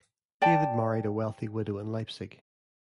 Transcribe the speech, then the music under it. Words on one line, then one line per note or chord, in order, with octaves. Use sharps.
David married a wealthy widow in Leipzig.
D5 G5 A5